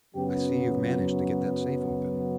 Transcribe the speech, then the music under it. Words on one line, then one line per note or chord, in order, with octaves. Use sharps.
I see you've managed to get that safe open.
F#2 C#3 F#3 B3 G4
F4